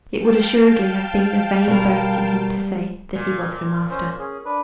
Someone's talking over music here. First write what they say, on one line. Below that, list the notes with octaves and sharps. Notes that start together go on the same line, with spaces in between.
It would assuredly have been a vain boast in him to say that he was her master.
F5 G5 A5
B2 G3 A#4
A#2
C#4 C5
C#4 G#4
D4 B4